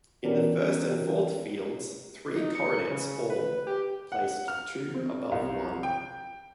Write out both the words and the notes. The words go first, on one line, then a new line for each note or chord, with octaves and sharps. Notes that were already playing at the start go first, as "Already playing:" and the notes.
In the first and fourth fields three coronets or, placed two above one.
E3 B3 C#4 D4 G4 A#4
D#4
C#7
C#3
B4
G4
F#5
F6
C4
C2
G5